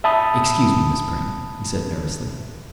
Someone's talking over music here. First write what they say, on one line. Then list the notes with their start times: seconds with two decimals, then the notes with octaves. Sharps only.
"Excuse me, Miss Vrain," he said nervously.
0.04 E5 A5 B5 D#6